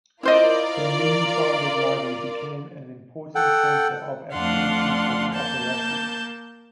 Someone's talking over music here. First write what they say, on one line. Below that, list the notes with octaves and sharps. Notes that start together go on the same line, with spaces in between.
The newly founded library became an important centre of activity for the "Operosi".
E4 F4 A#4 C5 D5 D#5
A4 F#5 G5
F2 A3 D4 F5 F#5 C6
A#3 A5 G6